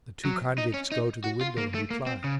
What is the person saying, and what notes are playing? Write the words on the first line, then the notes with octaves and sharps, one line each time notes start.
The two convicts go to the window and reply.
F#3
D#4
C#4
D#4
F#4
F4
A#3
A3
A#3
C4
C#3